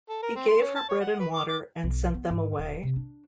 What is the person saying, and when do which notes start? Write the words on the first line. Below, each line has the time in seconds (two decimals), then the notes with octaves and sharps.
He gave her bread and water and sent them away.
0.09 A4
0.23 A#4
0.36 C4
0.48 C6
0.61 C#4
0.75 A5
0.89 C#5
1.01 F#5
1.20 B4
1.33 D6
1.49 D6
1.83 B1
2.14 B3
2.31 G#2
2.59 D#1
2.83 C3
2.96 D4